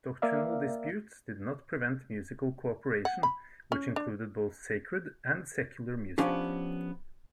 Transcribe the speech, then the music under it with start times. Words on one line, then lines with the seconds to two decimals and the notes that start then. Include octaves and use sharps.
Doctrinal disputes did not prevent musical cooperation, which included both sacred and secular music.
0.22 A#3 A#4 D5 E5 F5
3.05 F#5
3.23 B5
3.72 C#4
3.96 D4
6.18 F3 B3 C#4 D4 G4